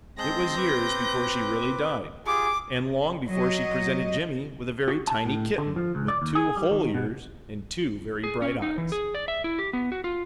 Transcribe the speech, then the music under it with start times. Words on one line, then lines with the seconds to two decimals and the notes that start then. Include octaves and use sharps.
It was years before she really died, and long before she presented Jimmy with a very tiny kitten with two whole ears and two very bright eyes.
0.18 G#3 C4 G#4 A5 G6 A#6
0.57 B4 D6
2.26 F4 G4 G#4 D6
3.27 F#3 D#5
4.88 F#4
5.07 A5
5.25 A2
5.58 D3
5.76 F3
5.95 C#2
6.08 D5
6.22 D#2
6.35 G#4
6.57 G3
6.71 D#3
6.94 B2
8.24 G#4
8.42 C#4
8.62 D#4
8.78 E3
8.92 G#4
9.15 D5
9.28 E5
9.44 E4
9.59 G4
9.73 B3
9.92 F#4
10.04 F4